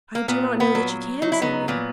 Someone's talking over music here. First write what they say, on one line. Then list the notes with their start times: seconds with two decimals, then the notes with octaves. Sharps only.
"I do not know that you can see me."
0.15 A#3
0.28 A#2 B3
0.60 B3
0.75 F#3
1.22 F#3 D#4
1.32 E4
1.42 B3 D#4
1.68 A#2 B3